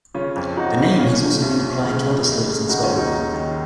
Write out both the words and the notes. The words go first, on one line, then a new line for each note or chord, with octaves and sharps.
The name has also been applied to other slopes in Scotland.
C#3 C#4 F4
F2
F2 D#4 F#4
C#3
A#2 C#4 F4
C2
C2
A#2
C#3
C#2
C#2
C#3
D#3 D#4 F#4
C#4 F4
D#2
D#4 F#4
D#2
D#3